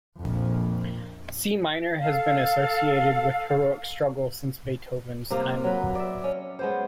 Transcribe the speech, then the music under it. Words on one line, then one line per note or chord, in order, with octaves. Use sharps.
C minor has been associated with heroic struggle since Beethoven's time.
A#1 F2
A4 F5
C3 A#3 F4
F#3 B4
D5 E5
C#4
G#3 B3 C5